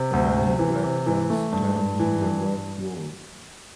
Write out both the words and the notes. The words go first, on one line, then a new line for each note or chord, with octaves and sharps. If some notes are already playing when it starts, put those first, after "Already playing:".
A man in black pants climbing a rock wall.
Already playing: C3
D2
C3
E3
C3
E3
A3
G2
G2
E3
G2